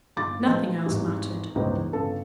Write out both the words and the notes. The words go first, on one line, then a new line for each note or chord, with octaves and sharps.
Nothing else mattered.
G1 D#3 F4 G#4 D6 A6
A#1 D#3 F3 A3 D#4 B4
G#1 E2 G#2 G3
G1 C#2 D#4 B4 C5
E3
G1 C#3 A4 B4